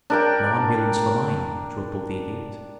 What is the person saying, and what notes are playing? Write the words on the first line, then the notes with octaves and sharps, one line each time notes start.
"No ambulance for mine," chortled the Idiot.
D4 A#4 G5